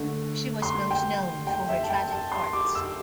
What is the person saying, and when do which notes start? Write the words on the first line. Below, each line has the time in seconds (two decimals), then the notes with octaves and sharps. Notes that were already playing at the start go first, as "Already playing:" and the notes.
She was most known for her tragic parts.
Already playing: D3 A3
0.62 C6
0.91 G5
1.47 G5
1.69 E5
1.83 A5
1.90 G5
2.11 A5
2.32 C6
2.53 D6
2.75 E6